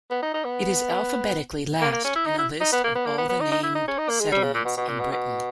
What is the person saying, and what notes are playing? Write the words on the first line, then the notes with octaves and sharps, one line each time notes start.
It is alphabetically last in a list of all the named settlements in Britain.
B3
D#4
D#4
B3
A#3
A#3
C#4
E4
D#4
E4
D#4
B3
A#3
B3
A#3
B3
B3
D#4
D#4
E4
D#4
C#4
D#4
A#3
G#3
G3
C#3
A#2
B2
B2
A#2
B2
B2